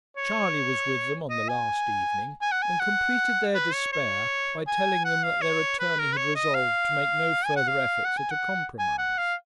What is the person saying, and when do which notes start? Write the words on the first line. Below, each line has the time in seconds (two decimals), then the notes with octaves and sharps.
Charley was with them on the last evening, and completed their despair by telling them that their attorney had resolved to make no further efforts at a compromise.
0.17 C#5
1.30 D#5
1.48 G#5
2.41 G#5
2.52 F#5
2.62 G#5
2.80 F#5
3.55 B4
3.73 C#5
3.92 C#5
4.67 G#5
5.05 F#5
5.23 F5
5.42 C#5
5.79 B4
5.99 A#4
6.13 B4
6.17 C#5
6.36 D#5
6.55 F5
7.45 G#5
7.56 F#5
7.67 F5
8.05 F#5
8.17 G#5
8.31 F#5
8.79 G#5
8.98 F#5
9.18 F5